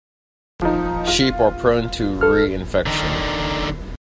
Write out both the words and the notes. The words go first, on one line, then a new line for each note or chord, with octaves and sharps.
Sheep are prone to reinfection.
F3 D#4
F4
A4 F6
D3 D#3